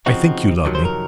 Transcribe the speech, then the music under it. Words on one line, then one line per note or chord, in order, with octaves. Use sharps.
I think you love me.
C#3 F3 C4 D#4 F#4
F2 C3 D#3 F#3
C5
A#4